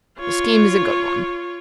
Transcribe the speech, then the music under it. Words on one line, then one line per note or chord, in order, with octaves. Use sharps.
The scheme is a good one.
F4 C#5